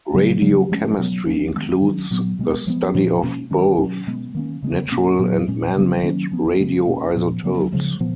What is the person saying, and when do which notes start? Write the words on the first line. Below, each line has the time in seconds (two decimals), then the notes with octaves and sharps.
Radiochemistry includes the study of both natural and man-made radioisotopes.
0.14 C#3 F#3 B3
0.42 C#3 F#3 A#3
0.69 F3 G#3 C#4
0.98 B2 F#3 B3
1.26 F3 A#3 C#4
1.54 D#3 G#3 B3
1.82 D#3 F#3 C#4
2.11 A#2 F#3 B3
2.39 B2 G#3 B3
2.67 F3 G#3 B3
2.94 A#2 F3 G#3 C#4
3.23 B2 A#3 C#4
3.50 D#3 G#3 C#4
3.78 B2 F#3 C#4
4.07 B2 G#3 B3
4.35 D#3 A#3 C#4
4.62 C#3 G#3 B3
4.91 B2 A#3 C#4
5.19 A#2 F#3 B3
5.48 A#2 G#3 C#4
5.76 C#3 F#3 B3
6.03 D#3 F#3 A#3 C#4
6.32 F3 B3
6.60 C#3 G#3 B3
6.88 B2 A#3 C#4
7.16 A#2 F3 B3
7.44 C#3 F#3 B3
7.72 C#3 F3 G#3
8.00 A#2 F3 B3